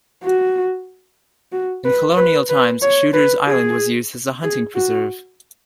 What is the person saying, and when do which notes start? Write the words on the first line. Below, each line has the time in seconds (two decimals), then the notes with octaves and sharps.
In colonial times Shooters Island was used as a hunting preserve.
0.23 F#4
1.52 F#4
1.85 B4
2.17 B4
2.49 B4
2.82 C#5
3.14 B4
3.46 G#4
4.43 G#4
4.75 F#4